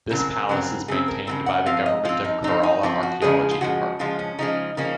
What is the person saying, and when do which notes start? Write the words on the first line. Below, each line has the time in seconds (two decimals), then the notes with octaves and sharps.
This Palace is maintained by the Govt.of Kerala Archaeology Department.
0.10 C#3 F#3 C4 A#4
0.49 C#3 F#3 C4
0.88 C#3 F#3 C4 G#4
1.08 A#4
1.27 C#3 F#3 C4 A#4
1.46 F#5
1.66 F3 C4 F5
1.86 D#5
2.05 F3 C4 F4
2.24 D#4
2.44 F3 C4 D#4
2.63 D#4
2.83 F3 C4
3.03 F#4
3.22 C#3 F3 G#3 G#4
3.51 F4
3.61 C#3 F3 G#3 F#4
3.99 C#3 F3 G#3 F4
4.19 C#4
4.39 C#3 F3 G#3 D#4
4.77 C#3 F3 A#3 C#4 D#4